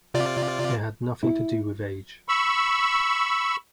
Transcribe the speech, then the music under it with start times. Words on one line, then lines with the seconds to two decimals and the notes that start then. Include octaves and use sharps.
It had nothing to do with age.
0.14 C3 F4 D5
1.23 E4
2.29 B5 C#6 E6